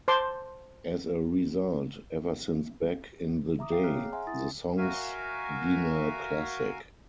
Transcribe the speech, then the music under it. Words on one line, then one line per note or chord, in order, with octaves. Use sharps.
As a result, ever since back in the day, the song's been a classic.
C5 A5 C6 D6
E5 A#5 D6 D#6
C4 F5 G5 D6 C7
G#4 C#5 A#5 F6 F#6
A#5
E5 F#5 G#5 A#5 C6
E4 D#6 A6
F#4 A#4 E5 F5 G#5